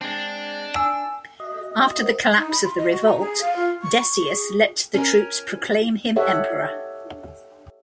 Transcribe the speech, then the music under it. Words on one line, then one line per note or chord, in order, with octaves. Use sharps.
After the collapse of the revolt, Decius let the troops proclaim him Emperor.
G#3 C4 D4
D4 G#5 E6
F#4 D#5 E5
A#4 C5 F#5
D#4
B5
C6
D#5
F#4
A#5
G#4
F5
F4
C#6
G#4
C#4 A#4
G4 A4 C#5 D#5 E5 F#5